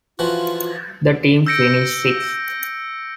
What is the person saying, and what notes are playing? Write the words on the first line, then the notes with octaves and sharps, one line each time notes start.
The team finished sixth.
E3 F3 F4 F#4
E6 G6 A#6 C#7 D7